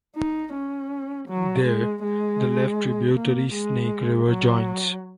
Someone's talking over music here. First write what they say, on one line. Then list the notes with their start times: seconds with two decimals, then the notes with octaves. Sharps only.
There, the left tributary Snake River joins.
0.16 D#4
0.53 C#4
1.28 F#3
1.65 G#3
2.02 G#3
3.15 A#3
3.52 G#3
4.26 F#3